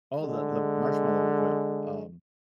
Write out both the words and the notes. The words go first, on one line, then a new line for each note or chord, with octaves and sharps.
Oh, the the marshmallow whip, um,
D3 G#3